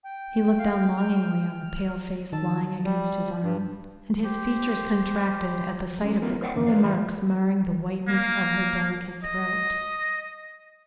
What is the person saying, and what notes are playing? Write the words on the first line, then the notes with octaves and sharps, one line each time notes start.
He looked down longingly on the pale face lying against his arm, and his features contracted at the sight of the cruel marks marring the whiteness of her delicate throat.
G5
F5
F6
D#3 A5 E6
G3
G2
G4 C5
G3 G#3 C4 C#4 A4
B3 E4 G4 A#4 B4
C5 D5 E5 F#5 G5
F2 G#2 D3 E3 C#4
A#4 B4 D5 F5
C#2 A2 E3 E5 B5 C6
A#3
D#5